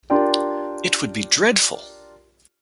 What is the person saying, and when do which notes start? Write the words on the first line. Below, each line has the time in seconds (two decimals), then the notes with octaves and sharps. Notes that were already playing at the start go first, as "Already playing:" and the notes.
It would be dreadful!
0.10 D4 F4 G4 A#4 D5 G5